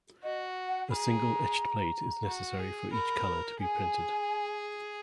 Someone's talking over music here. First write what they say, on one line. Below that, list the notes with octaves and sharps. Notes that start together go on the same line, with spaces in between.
A single etched plate is necessary for each color to be printed.
F#4 D#5
F#5
G#4 A#5 B5
F#4
G#4
A#4 B5
G#4 G#5